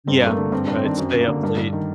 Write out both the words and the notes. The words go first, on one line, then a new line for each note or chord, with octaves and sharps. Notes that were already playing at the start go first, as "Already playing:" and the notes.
Yeah. Right, stay up late.
G2 C4
G2 A3
A#3
D3
G2 C4
G2 D4
C4
D#3 D4
F#2 C4
F#2
A#3
D3
G2
G2
D#3